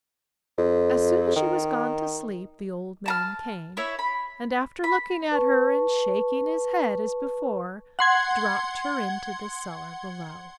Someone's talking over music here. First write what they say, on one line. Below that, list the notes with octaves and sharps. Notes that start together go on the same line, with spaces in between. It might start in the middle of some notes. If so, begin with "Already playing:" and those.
As soon as she was gone to sleep the Old Man came, and, after looking at her and shaking his head as before, dropped her into the cellar below.
F2
D#3
A5 A#5 F6
E4 C#5 E5
B5
B5
B4 A5 C#6
F#5 C6 G#6